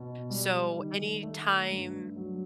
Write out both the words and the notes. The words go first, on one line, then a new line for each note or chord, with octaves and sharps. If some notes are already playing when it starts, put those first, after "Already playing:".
So anytime
Already playing: B2
G3
D#3
A3
G2
F#3